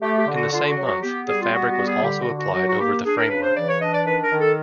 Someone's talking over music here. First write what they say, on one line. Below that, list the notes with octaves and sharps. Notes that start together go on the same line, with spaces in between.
In the same month, the fabric was also applied over the framework.
A3 G4
G4
D3
F#4
D3 F4
F#4
F#3
F#4
B3 G4
G3 G#4
F4
B3 F#4
F#4
G3
G#4
D3 G4
F#4
D3
F#4
F#3 F#4
F#4
A#3 G4
D4 G#4
A#4
C#3 B4
C5
E3 D5
C#5
D4 D#5
D5
D#3 B4
A#4
D#3
A4